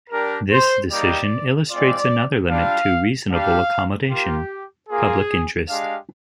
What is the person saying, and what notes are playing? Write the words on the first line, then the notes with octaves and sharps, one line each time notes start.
This decision illustrates another limit to reasonable accommodation: public interest.
G3 D4 G4 A#4
C5
G3 A#3 D#4 G4 D5
G#3 C4 F4 D5
G3 D4 F4 F5
G3 D4 G4 F5
A#3 F4 G4
A#3 F4 G#4
G#3 D4 G4 F5